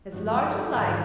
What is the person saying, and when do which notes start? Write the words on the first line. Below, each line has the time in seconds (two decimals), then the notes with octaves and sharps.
"As large as life."
0.12 G2 F3 C4 D#4 F#4
0.31 F#5 G6
0.44 A4 D5 E5 C6 D6
0.59 C4 C#4 F4 G#4 A4 D5
0.72 D2 G#2 E3 D#4 D5 C7
0.90 E3 G3 D4 E4 F4